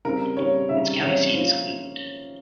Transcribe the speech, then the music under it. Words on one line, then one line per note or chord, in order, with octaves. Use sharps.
Its county seat is Cleveland.
C#3 G3 C4 A#4
C#3 G3 C4 C#5
C#3 G3 C4 E5
C#3 G3 C4 C#5
F3 A#3 C#4 C5